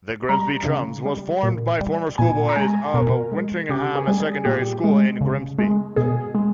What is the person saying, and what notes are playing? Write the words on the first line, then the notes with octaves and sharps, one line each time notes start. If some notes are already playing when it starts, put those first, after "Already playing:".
The "Grimsby Chums" was formed by former schoolboys of Wintringham Secondary School in Grimsby.
G3 A#5
C#3
G3
A#2
G3
A#2 G#5
A#5
G#3 G#5
B2 A#4
G#3
C#3 G4
G#4
G3
G#4
A#2 G4
G#3
C#3
G#3
B2 G#4
G#3